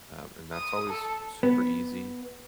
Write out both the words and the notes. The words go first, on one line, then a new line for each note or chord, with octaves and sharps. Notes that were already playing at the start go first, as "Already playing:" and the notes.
um, and that's always super easy.
D#6
A4
B3